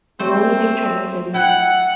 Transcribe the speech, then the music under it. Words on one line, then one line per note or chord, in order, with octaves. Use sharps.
You'll only make trouble, Sidney.'
A3 C4 C5
E4 F#5 G5